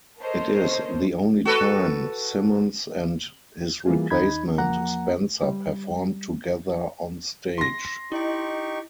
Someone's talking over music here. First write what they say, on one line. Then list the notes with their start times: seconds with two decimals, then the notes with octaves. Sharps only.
It is the only time Symons and his replacement, Spencer performed together on stage.
0.19 A4 A#4 C5 C#5 D#5
1.45 F#4 A4 B4
3.86 E3 G3 A#3 F4 G#4
4.10 D#2 D#4 B5 G#6
4.58 E2 F3 A#3 F#5 A#5
5.43 G3
7.58 C6 A#6
8.12 D#4 E4 G4 D#5 C#6